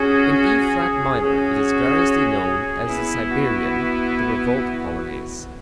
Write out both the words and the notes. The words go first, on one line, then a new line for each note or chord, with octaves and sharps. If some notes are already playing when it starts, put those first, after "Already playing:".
In E flat minor it is variously known as the Siberian, the Revolt Polonaise.
Already playing: C#4 F#4 G#4
C#4 F#4 G#4
B3 E4
F#4
F#4